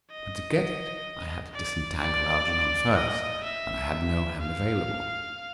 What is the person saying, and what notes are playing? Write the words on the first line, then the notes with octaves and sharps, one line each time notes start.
But to get it I had to disentangle Algernon first, and I had no hand available.
D#5
D5
D5
D#5
E5
F5